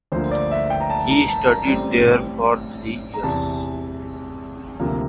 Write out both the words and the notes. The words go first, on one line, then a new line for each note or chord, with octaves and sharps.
He studied there for three years.
D2 D3 F3 A#3 C5
D5
E5
G5
A#5
A5
A#5
A5
A#5
A1 A2 G3 C4
A#5
E2 C3 E3 A5
D2 C3 F3 A#3